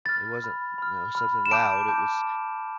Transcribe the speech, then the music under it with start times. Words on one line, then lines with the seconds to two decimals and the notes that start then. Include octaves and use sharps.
It wasn't, you know, something loud, it was,
0.05 B5 F6 A6
0.42 B5 F6
0.78 B5 F6
1.15 B5 F6
1.46 E7
1.51 A5 D6 G6 D7
1.88 A5 D6 G6